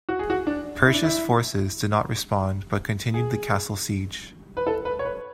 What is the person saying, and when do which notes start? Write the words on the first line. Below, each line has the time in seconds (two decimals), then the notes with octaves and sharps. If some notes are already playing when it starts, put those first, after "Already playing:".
Perche's forces did not respond, but continued the castle siege.
0.09 F#4
0.19 G#4
0.30 F#4
0.47 D4
0.85 E4
0.94 D4
1.03 E4
3.14 G#4
4.57 B4
4.67 A4
4.85 B4
4.99 C#5
5.05 B4